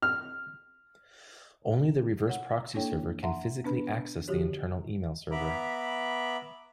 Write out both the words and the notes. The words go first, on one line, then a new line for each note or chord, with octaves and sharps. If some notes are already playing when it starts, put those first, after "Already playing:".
Only the reverse proxy server can physically access the internal email server.
F6
C#5 F#5
A#3 D4 E4 A4 C#5 G5
E5 F#5 A5 A#5 C6
B3 D4 B4 B5
D3 F3 F#4 G4 C#5
B3 E5 A#5 B5 D6